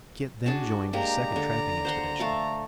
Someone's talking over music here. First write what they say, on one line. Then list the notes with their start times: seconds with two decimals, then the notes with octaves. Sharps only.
Kit then joined his second trapping expedition.
0.46 D4 F#4 G#4 A5
0.93 G#3 A#3 G4 D5 A#5
1.36 D3
1.85 C5 F#5 C6
2.19 A3 A4 F5